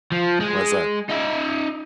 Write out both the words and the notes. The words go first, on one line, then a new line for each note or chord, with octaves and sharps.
Why's that?
F3
G#3
D#4 E5